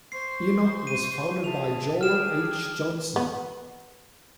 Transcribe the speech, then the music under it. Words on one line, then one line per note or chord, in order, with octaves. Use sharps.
Enoch was founded by Joel H. Johnson.
C5 C6 C#6 C7
D#7
G#4 E5 A5 F7
D4 G#4 G5 F6 E7
B3